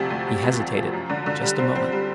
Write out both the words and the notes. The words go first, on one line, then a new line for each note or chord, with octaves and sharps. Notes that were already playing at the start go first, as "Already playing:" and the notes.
He hesitated just a moment.
Already playing: D2 C3 F3
D2
D2
D2
F3
F3
F#2
D3
D3
G3
C4
C4
G3